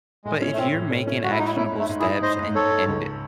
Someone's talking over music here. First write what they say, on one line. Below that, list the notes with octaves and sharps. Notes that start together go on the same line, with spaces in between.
but if you're making actionable steps and and
A2 G#3
C#4
A3
C4 C#4
A2
C#4
C#4
G#3 F#4
E4
G#3 D#4
E4
C#4 E4
G#2
A3
G#2
E4 G#4
G#2
G#2 C5 D#5
G#2
G#2 A4 C#5
G#2
C#2